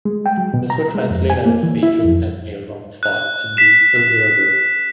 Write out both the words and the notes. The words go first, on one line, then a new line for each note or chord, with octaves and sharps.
This would translate as "Aigil and Ailrun fought at the Ilz river".
G#3
G5
F#3
B2
A#5
G#3
F2
G#5
A#3
E3
E4
F2
F#6
B6 E7